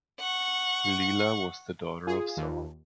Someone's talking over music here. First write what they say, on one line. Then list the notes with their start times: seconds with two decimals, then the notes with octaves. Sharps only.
Leela was the daughter of Sole.
0.20 F#5 C#6
2.07 F4 G#4
2.37 D#2